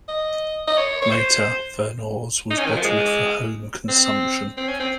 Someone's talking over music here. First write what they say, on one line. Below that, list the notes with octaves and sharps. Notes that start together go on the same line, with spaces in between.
Later Vernors was bottled for home consumption.
D#5
D#5
C#5
C#5
C5
D#4
C#4
D#3
F3
G#3
C4
C4
C#4
C4